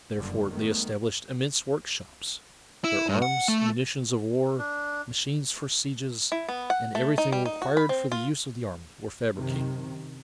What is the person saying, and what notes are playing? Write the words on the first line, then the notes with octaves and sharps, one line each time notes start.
Therefore they established immense workshops, where arms, munitions of war, machines for sieges, and everything required for the use of the army were fabricated.
F#1 G2 D3 D#3 G3
D#3 G3 A3 B3
E4
G2
F#5
A3
D4
E4
B3
F#5
A3
D#4
G3
D#4
F#4
B5
C4
F4
F#2 C3 D#3